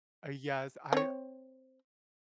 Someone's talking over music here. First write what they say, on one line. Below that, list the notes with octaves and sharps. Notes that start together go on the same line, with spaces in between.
Uh, yes, I
C4 C#5